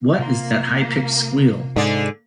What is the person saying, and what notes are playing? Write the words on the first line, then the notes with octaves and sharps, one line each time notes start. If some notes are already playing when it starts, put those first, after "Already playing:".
What is that high-pitched squeal?
C3 A#3 F4 C6
G#2 D3 G#4 D5